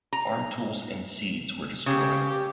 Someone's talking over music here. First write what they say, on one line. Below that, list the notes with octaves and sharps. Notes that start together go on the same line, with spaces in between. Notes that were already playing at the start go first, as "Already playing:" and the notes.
Farm tools and seeds were destroyed.
A#5
C#3 G4